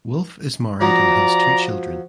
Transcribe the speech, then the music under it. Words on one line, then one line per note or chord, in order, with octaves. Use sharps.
Wolf is married and has two children.
F3 F#3 D5 A#5